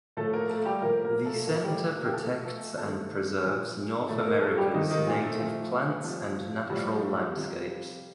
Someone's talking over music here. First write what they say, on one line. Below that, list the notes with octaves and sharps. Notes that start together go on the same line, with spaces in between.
The center protects and preserves North America's native plants and natural landscapes.
A2 F3 A3 A4
A#3 A#4
A3 A4
G3 G4
A2 F3 A#3 A#4
A#3 A#4
A3 A4
A2 F3 A#3 A#4
G3 G4
A#3 A#4
G4
A#2 F3 A3 A4
A3 A4
C3 D#3 A3 A4
A#2 F3
A2 F3 A3 A4
A#3 A#4
A3 A4
G3 G4
C3 D#3 F3 D#4
D#3 D#4
A#2 A#3
A3
A#2 F3 A3
C3 F3
A2 F3 G3
C3 F3